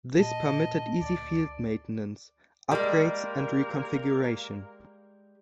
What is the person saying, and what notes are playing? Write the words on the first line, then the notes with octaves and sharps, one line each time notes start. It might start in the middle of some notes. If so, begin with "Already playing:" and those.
This permitted easy field maintenance, upgrades, and reconfiguration.
A#2 D#5 A5
D2 D5
G3 G#3 A#3 A#4